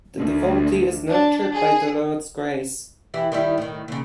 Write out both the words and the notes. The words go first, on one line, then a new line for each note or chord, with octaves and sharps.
The devotee is nurtured by the Lord's grace.
D2
D4
G#4
E3 E4 G4
D#3 G3 E4
A2 D#3
D#2 C#3